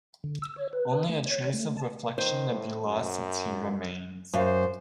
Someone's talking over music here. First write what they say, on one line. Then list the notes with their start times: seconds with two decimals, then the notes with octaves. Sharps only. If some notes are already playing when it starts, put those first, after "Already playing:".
Only a trace of reflection nebulosity remains.
0.24 D3
0.42 E6
0.56 C#5
0.73 B4
1.09 A3
1.26 C#5
1.54 A3
1.77 A5
2.18 D#3 C5
2.50 A2
2.85 F#2
4.33 F#2 C5 E5 F5